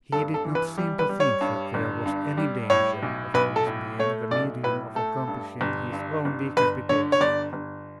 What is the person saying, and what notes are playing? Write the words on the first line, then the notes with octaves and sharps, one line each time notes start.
He did not seem to think that there was any danger of his being the medium of accomplishing his own decapitation.
G2 A4
A4
E3
B4
G3
B4
G3
C#5
G2
G1
G2
G3
A2 C#5
B1
B1 B4
A4
A2
A3 C#5
B1 D5
A2 B4
A3 A4
G2
G1
G2
G1
G1 B4
D3 C#5
C#5
G1 D5
G1